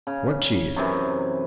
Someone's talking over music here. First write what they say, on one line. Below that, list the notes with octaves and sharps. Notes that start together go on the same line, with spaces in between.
"What cheese?"
C#3
F#2 C3 E3